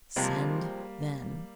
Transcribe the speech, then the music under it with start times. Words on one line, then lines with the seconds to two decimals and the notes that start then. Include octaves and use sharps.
"Send then."
0.16 C3 F3 G3 G#3 A#3 C4